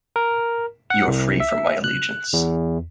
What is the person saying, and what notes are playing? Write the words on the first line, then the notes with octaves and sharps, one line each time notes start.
You are free from my allegiance.
A#4
F#5
C2
E5
F#6
E2